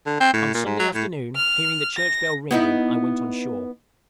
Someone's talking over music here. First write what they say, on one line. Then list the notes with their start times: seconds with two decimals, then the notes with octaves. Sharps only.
On Sunday afternoon, hearing the church bell ringing I went on shore.
0.06 D3
0.20 C4
0.33 A2
0.54 A#2
0.65 G#2
0.79 F#3
0.94 A2
1.35 F6
1.97 A#6
2.51 B3 D#4 E4